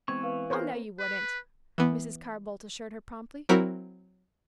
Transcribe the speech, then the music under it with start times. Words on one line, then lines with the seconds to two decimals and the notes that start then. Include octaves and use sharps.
"Oh, no, you wouldn't," Mrs. Carr-Boldt assured her promptly.
0.08 E3 G#3 B3 C4 C#6 G#6
0.23 B4 F5
0.50 B3 C4 A#4 C5 C#5
0.99 B4
1.78 E3 B3
3.49 F#3 C4 E4 F#4 A#4 B6